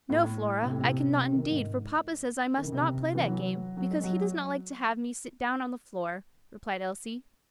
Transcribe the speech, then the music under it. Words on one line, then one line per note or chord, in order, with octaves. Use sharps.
"No, Flora, I cannot indeed, for papa says I must not play that game, because he does not like to have me sit down on the floor," replied Elsie.
A2
C3
A2
C3
C3
D#3
G#2
D#3
C#3
C3
E3
F#3
F#3
G#3
F#3